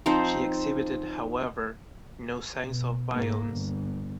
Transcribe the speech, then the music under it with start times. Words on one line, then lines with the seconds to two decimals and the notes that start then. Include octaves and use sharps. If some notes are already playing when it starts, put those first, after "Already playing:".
She exhibited, however, no signs of violence.
0.06 F3 C4 D#4 C5
2.65 B2
3.11 G#2 A#3
3.50 G1